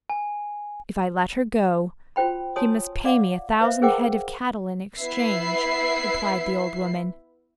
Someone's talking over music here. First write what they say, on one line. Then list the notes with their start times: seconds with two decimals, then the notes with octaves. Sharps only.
'If I let her go he must pay me a thousand head of cattle in exchange,' replied the old woman.
0.10 G#5
2.16 F4 F#4 C5 G5 B5
2.56 F#4 C#5 G#5 A5 C6 D#6
3.05 D5 F5 F#5 D6
3.61 B4 C5 E5 F5
3.82 G#4 A#4 C5 F#5 G5 D6
4.98 B3 E4 B4 E5 C7